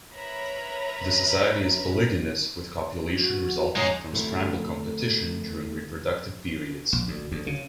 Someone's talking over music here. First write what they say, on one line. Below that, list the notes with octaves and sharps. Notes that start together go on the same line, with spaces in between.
The society is polygynous with copulation resulting from scramble competition during reproductive periods.
A#4 B4 C#5 E5 A#5 B5
F#4
G#3 D#4 C#5
D2 A3 C4 E4 A4 A#4
A#1
D2
D2
C#3